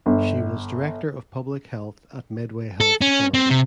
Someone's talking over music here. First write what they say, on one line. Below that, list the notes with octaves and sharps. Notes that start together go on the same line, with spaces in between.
She was Director of Public Health at Medway Health Authority.
G1
A4
C#4
C4
C3